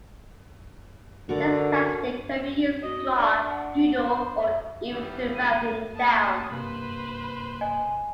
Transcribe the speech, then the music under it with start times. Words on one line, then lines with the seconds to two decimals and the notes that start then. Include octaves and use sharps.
Desktastic can be used to draw, doodle or even to write things down.
1.29 D3 F#4 A#4 D5
2.83 F#4 D#5
3.18 D4 D5
3.49 F#5
3.97 C5
4.90 D#3 E3 G3 B3 C#4
5.35 D#2 D3 G#3 D#7
5.96 A3 A#3 A5 D#6
6.50 G2 C3 A#3 B4 C5
7.61 D#5 G#5